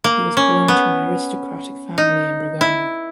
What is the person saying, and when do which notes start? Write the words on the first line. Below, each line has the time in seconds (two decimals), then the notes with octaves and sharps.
He was born to an aristocratic family in Bergamo.
0.04 A#3
0.37 C#4
0.68 B3
1.98 D#4
2.61 E4